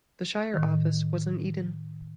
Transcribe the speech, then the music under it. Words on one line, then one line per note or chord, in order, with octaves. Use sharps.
The shire office was in Eden.
A2 D#3